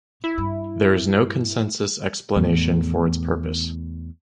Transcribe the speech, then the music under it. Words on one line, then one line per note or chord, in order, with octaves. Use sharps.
There is no consensus explanation for its purpose.
E4
G2
E2 A2